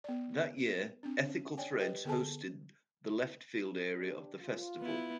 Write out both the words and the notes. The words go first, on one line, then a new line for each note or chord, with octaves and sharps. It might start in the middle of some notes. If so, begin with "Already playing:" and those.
That year, Ethical Threads hosted The Left Field area of the festival.
B3 D5
C4 D4
C#4
C#5 D5 G5 G#5
G4 B4 D#5 G5
D3 B3 G#4 A4 G#5 A5
D4 G4
F4
B3 E4